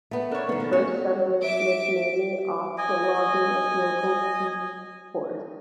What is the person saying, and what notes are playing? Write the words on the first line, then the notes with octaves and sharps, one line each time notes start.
The first settlers lived mainly off the logging of local beech forests.
A3 B3
D4 A4 A#4 C#5
B2 D#3 B3
F3
C#4 F#4
E5 D6 D7
D#5 G#5